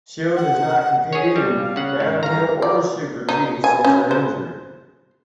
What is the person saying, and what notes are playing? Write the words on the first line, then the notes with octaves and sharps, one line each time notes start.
Schild has not competed in downhill or super-G since her injury.
F#5
G#4 C#5
G3
F5
C#3 F#5
G#2
G1 F5 A#5
D5
D#4
G#5
C#4
C5